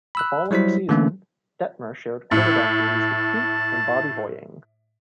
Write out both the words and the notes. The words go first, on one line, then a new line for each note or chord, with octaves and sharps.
The following season, Detmer shared quarterback duties with Peete and Bobby Hoying.
B5 E6 F#6
F#3 G3 E4 C5 B6
D3 E3 A3 A#3 C#4
A2 A5